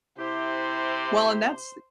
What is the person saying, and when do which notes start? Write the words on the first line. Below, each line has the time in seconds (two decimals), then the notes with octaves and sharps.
Well, and that's
0.18 C3 E4 G4 C5